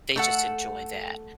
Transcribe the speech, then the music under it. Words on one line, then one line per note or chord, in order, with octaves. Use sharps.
they just enjoy that.
A3 A4 F#5